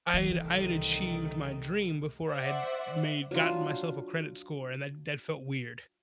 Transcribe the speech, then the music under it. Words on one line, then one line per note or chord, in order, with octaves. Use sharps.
I had I had achieved my dream before I had made gotten myself a credit score and that that felt weird.
C2 D#3 E3 A3
C5 D5 E5 F#5
F#3 D4 F4